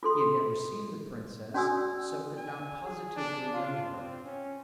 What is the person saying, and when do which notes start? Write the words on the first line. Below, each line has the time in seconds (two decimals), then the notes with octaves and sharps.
He had never seen the princess, so could not positively know her.
0.03 F4 A4 C6
1.54 C#4 F#4 D5 G#5 D#6 E6
2.37 G#5
2.84 G#4
3.16 D4
3.53 F4
3.92 C4
4.25 C#4